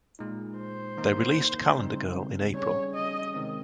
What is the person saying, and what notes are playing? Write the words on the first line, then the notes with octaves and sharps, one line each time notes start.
They released "Calendar Girl" in April.
A#2 G#3 D#4
C5
D#3 A#3 D#4
C#3 G3 C4 D#4
G3 C#4 G#4 C#5
D#5
C3 D#3 G#3 C4